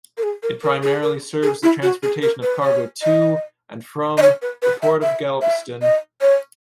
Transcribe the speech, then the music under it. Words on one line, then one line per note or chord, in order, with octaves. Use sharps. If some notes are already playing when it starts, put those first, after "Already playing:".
It primarily serves the transportation of cargo to and from the Port of Galveston.
A#4
G#4
A#4
A#4
G#4
A#4
G#4
E4
F#4
G#4
A#4
B4
C#5
D#5
D#5
C#5
B4
B4
E5
E5
E5
D#5
C#5